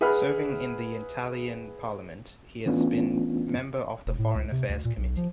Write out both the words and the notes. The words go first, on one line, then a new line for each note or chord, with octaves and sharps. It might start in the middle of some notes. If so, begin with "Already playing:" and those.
Serving in the Italian Parliament, he has been member of the Foreign Affairs Committee.
G#4 B4 E5 F#5 B5 F6
E3 A3 B3 C#4 D4 F4
E1
A2
C#2
C3
D2
A#2
B1
F3